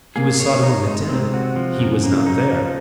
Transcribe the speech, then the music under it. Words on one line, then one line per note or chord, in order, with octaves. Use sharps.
He was sought among the dead, he was not there.
A#3 G#4
C#5
D#4
G#3
C3 C4
F#4
F3
F#2
C#3 A#3
D#4
F3